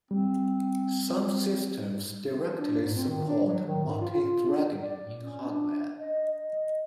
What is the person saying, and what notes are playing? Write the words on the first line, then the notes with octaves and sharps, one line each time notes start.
Some systems directly support multithreading in hardware.
G3 C4
D4
G#2
C4
D#3
D4
F#3
D#3
G#2
F4
F4
D4
D5
C#4
D4
D#5
D#5